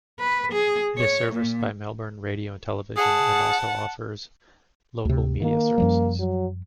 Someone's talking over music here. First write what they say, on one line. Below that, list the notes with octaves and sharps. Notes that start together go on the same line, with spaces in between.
It is serviced by Melbourne radio and Television, and also offers local media services.
B4
G#4
C#5
A#2
G#4 F#5 A5
D2 C3
D#3 A#3
F#2 F3 G3
F#3